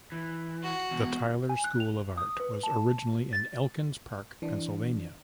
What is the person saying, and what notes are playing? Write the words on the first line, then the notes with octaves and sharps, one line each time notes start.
The Tyler School of Art was originally in Elkins Park, Pennsylvania.
E3
F#4
E2 B2
G#5
F#6
F7
D#6
B4
A5
A6
E3 D4